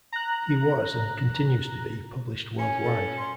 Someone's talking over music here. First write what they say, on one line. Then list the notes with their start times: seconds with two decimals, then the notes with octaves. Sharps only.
He was and continues to be published worldwide.
0.12 A#5 F#6
2.59 C#4 G#5
2.84 A4
3.18 C6